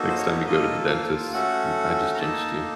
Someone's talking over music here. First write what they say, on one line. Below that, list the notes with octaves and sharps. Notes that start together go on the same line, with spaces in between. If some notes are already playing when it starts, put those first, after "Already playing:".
Next time you go to the dentist, you I just jinxed you.
Already playing: A#3 D#4 F#4 A4
C5
C#5
A#3 F4 A4 D#5
F5
A3 C#4 F#4 A4 F#5
A#5
A#3 D#4 A4 A5